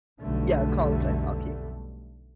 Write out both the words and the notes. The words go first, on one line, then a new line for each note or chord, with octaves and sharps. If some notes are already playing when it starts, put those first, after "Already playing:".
Yeah, college ice hockey.
B1 F2 D3 G3 A3